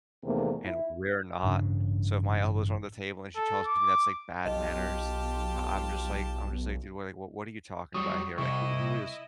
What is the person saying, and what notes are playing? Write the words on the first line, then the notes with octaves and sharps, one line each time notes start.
and we're not. So if my elbows are on the table, and she tells me that's, like, bad manners, I I'm just like I'm just like, "Dude, what, like what what are you talking about here? Like, who who is
E2 C3 D#3 E3 A3 A#3
E4
A1 G2 C#3 D4
A4
D6
B1 F4 G4 D#5 A5
F#3 G3 C#6 D#6
C3 G3 E4 D#5 C#6